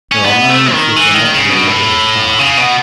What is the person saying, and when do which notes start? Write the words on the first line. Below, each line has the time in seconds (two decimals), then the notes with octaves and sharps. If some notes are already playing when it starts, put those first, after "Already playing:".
There are moments which are not to be measured as time.
0.12 C#4
0.25 B3
0.49 A3
0.73 D#3
0.96 E3
1.14 D#3
1.32 C#3
1.50 B2
1.67 A2
2.39 C#3
2.57 B2